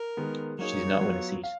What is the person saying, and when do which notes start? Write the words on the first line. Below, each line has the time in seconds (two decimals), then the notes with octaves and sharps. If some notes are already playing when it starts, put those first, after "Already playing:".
She did not win a seat.
Already playing: A#4
0.17 D#3 G#3 B3
0.59 F#3 A#3 D#4 G#4 C#5
1.01 F#3 B3 F4
1.43 F5